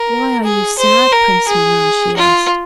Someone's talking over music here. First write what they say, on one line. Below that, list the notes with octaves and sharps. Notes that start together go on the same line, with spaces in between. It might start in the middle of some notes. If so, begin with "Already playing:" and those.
"Why are you sad, Prince Milan?" she asked.
Already playing: A#4
G#4
C5
A#4
G#4
F4